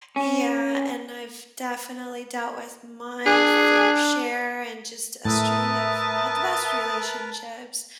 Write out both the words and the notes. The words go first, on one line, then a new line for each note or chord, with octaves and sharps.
Yeah, and I've definitely dealt with my fair share and just a string of not the best relationships,
C#4
D4 G#4
A2 A#4 B4 E5 A5 D#6